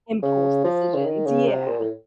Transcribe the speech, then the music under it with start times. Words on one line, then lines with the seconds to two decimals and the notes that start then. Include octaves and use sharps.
impulse decisions, yeah.
0.23 C#3
0.64 F3
0.94 C#3
1.06 D#3
1.26 C#3
1.47 C3
1.68 A#2
1.79 A2